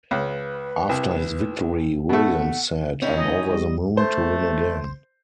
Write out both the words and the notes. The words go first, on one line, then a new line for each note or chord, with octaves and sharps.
After his victory Williams said: I'm over the moon to win again.
C#2 B4
C2
B2 A3 F#5
D#3 C#4 E4
D#5
G3
A3 C5